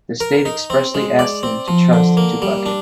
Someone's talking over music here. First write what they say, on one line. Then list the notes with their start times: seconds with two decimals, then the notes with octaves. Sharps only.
The state expressly asks him to trust to Bucket.
0.20 A#4
0.45 D#4
0.70 C4
0.95 G#3
1.19 D5
1.43 C4
1.68 F3
1.93 D3
2.17 A#3
2.42 G3
2.66 D4